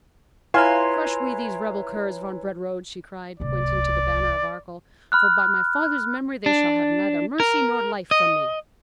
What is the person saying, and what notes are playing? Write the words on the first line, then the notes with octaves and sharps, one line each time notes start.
"Crush we these rebel curs, von Brederode," she cried, pointing to the banner of Arkell; "for by my father's memory, they shall have neither mercy nor life from me."
E4 F4 B4 C#5 G#5 A#5 C6
D1 C2 D5
B5 F6 F#6
D4
A#4
D#5